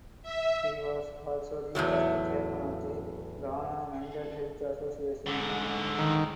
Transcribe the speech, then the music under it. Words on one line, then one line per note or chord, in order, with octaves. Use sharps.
He was also the first Chairman of the Ghana Mental Health Association.
E5
E2 A2 C3 F#3
G#2 D3
D#3